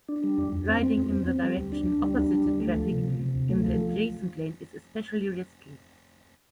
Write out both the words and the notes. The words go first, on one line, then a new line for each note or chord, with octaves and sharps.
Riding in the direction opposite to traffic in the adjacent lane is especially risky.
D4
G3
F2
F2
C4
C4
F2
C4
C4
G3
D2
D4
D2
G3
D4
G3
D2
A3
F3
C3
C3
C3
D2
A3
F3